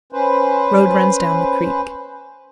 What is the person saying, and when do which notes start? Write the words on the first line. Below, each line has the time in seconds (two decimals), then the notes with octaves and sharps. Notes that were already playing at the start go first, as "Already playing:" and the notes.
Road runs down the creek.
0.12 C#4 B4 C5